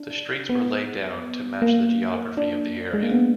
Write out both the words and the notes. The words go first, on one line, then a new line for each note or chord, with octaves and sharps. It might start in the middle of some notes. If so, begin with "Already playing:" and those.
The streets were laid down to match the geography of the area.
Already playing: D4
B3
A#3
D4
G#3
A#3
B3